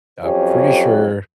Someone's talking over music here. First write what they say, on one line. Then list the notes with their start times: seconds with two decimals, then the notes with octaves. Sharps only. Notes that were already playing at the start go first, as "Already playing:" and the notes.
I'm pretty sure
0.25 F2 F#3 C4 C#4 G4